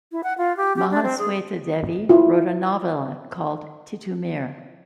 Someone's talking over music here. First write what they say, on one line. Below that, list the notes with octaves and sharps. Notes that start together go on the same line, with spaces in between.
Mahasweta Devi wrote a novella called "Titu Mir".
E4
F#5
F4
G4
G4
D4
C4
G#4
E4 F4